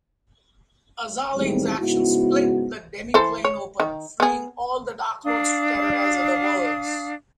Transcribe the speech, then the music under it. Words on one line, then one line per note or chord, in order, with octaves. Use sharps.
Azalin's actions split the Demiplane open, freeing all the Darklords to terrorize other worlds.
E2 A2 D#3 G3 G#3 C4
G#2 C#3 B3 E4 F#4
E3 A4 C5
C#5
D#3
B3 G#4
D4 F5 D#6